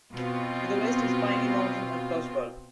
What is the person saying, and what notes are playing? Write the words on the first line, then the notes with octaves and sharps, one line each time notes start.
To the west is Piney Mountain and Frostburg.
B2 C4 F4